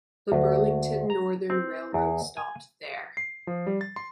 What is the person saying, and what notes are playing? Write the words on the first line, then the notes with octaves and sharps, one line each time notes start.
The Burlington Northern Railroad stopped there.
D2
A#5
C4
E2
G#5
C7
F3
G3
A6
C6